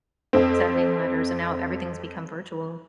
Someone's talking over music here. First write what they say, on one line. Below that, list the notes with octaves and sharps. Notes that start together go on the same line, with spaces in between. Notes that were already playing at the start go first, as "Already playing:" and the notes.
sending letters, and now everything's become virtual.
F2 C4